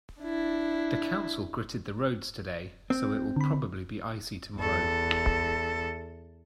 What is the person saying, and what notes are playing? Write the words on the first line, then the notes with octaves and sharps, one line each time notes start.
The council gritted the roads today, so it will probably be Icy tomorrow.
D4 E4
C4
D3 B5
E2 A4